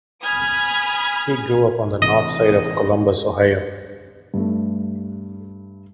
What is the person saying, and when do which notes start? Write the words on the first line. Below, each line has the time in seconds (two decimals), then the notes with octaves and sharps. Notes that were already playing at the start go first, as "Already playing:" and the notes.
He grew up on the north side of Columbus, Ohio.
0.23 G#5 B5 D#6 F6 G#6
2.02 A1 C3 E3 D#5
4.34 G2 A3